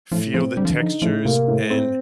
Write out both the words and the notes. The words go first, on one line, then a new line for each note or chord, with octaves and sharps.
feel the textures, and
A2 F3
F3 C4
D3 G3
F3
D#3
F3 D#4
A2 F3
C3 A#3
A2
C4